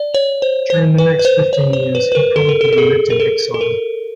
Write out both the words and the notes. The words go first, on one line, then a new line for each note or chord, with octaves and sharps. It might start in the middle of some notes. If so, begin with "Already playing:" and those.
During the next fifteen years he probably lived in exile.
Already playing: D5
C#5
C5
C5
B4
B4
C5
C#5
C5
B4
B4
A#4
A4
A#4
A4
A4
G#4
A#4
A4
A4
A#4